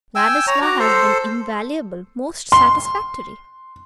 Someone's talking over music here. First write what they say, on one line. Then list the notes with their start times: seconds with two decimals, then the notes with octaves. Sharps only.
Ladislaw has been invaluable, most satisfactory.
0.15 G5 G#5 E6
0.47 C#5 A#5
0.62 F#4 A#5 D6
0.80 A4 C5
2.52 C6